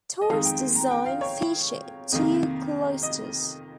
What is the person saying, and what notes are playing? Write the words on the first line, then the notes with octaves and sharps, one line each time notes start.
Torres's design featured two cloisters.
D#5
F2 D#3 G#3 D#4 F5
G5
A#5
G5
F5
C#5
F2 C3 D#3 A#3 D#5
D#5